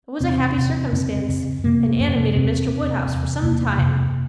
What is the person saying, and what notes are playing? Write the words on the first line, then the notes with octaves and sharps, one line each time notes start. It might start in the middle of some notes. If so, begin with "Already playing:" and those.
It was a happy circumstance, and animated Mr. Woodhouse for some time.
E2 C3 C4
E2 C3
F2 C#3 C4
F2 C#3
F2 C3 A#3
F2 C3
E2 C3 C4
E2 C3
E2 C3
E2 C3 A#3
F2 C3